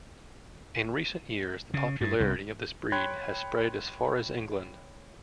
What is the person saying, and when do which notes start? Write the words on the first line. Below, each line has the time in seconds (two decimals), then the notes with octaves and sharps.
In recent years the popularity of this breed has spread as far as England.
1.74 C#3
2.01 G2
2.20 C2
2.92 C#5 G5 B5 C6 F#6 G#6